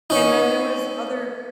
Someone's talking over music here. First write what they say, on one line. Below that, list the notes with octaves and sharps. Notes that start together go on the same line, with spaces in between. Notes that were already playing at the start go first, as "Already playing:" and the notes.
and then there was other
C#4 D#4